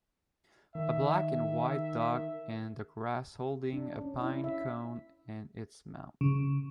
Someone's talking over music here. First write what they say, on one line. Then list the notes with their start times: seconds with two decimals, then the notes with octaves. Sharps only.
A black and white dog in the grass holding a pine cone in its mouth.
0.75 D#3 E5
3.73 D4
4.01 C#4
4.21 E4
4.44 E5
6.21 C#3